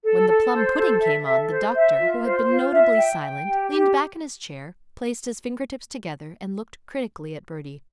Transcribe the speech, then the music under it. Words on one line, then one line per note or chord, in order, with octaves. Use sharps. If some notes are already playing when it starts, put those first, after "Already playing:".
When the plum pudding came on, the doctor, who had been notably silent, leaned back in his chair, placed his finger-tips together, and looked critically at Bertie.
A4
A4
C5
A4
E5
A4
C5
E5
F4
C5
F4
E5
G5
G5
G4
G4